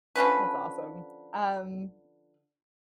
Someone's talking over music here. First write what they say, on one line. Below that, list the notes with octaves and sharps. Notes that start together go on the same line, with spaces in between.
that's awesome, um,
D3 F3 C#4 B4